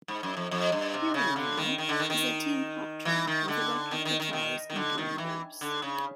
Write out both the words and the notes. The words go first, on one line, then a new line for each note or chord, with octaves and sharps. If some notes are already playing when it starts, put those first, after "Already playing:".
"Here and Now" is a teen pop track with electric guitars and drum loops.
G#2
F#2
F2
F2
G2
C3
C#3
D3
D#3
D#3
D3
D#3
D#3
E3
D#3
D3
D#3
D#3
D#3
D#3
D#3
D3
D#3
E3
D3
C#3